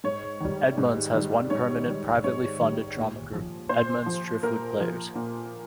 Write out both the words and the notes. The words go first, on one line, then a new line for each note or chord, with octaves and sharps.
Edmonds has one permanent, privately funded drama group, Edmonds Driftwood Players.
G#2 C#5
D#3 G3
G#2
D#3 G3
G#2 C#5
D#3 G3
G#2 C#5
D#3 G3
A#2
F3
A#2 C5
F3
A#2 A#4
F3
A#2